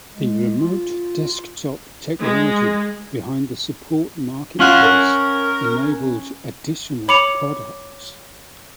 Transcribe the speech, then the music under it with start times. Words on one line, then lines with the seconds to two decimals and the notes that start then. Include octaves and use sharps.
The remote desktop technology behind the support marketplace enabled additional products.
0.17 G#3
0.60 F4
2.21 G#3
4.60 C#4 F4 F#5
4.83 A#4
7.08 C#5 B5 D6 C#7 F7